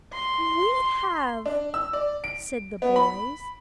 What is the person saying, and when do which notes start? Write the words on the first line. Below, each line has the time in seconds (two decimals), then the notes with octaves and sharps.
"We have," said the boys.
0.14 C6
1.46 D4
1.74 E6
1.93 D5
2.24 D7
2.82 B3
2.96 B5